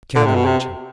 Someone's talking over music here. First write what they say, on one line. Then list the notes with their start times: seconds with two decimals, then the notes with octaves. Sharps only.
'Can't imagine.
0.16 D3
0.26 C3
0.36 B2
0.46 C3